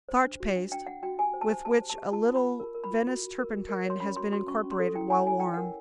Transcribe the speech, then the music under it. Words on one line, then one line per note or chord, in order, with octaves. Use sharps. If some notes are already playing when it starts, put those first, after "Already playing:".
Starch paste, with which a little Venice turpentine has been incorporated while warm.
C5
D4
F#4
D4
D4 G5
D4 F#5
F#4 G5
G4 G#5
C5
A5
C5
G4 A5
C5
A5
G4
F4 A5
F4
B5
F4
A#4
A#4
B5
F4
F#4
F#4
A#4
F#4
A#4
C#5 C6
C#4 B5
F#4 C6
F#4 C6
C#4 C#6
C#4
C6
A4
E4 G5
C#5 G#5
E4 G#5
C#5 G5
A#4 F#5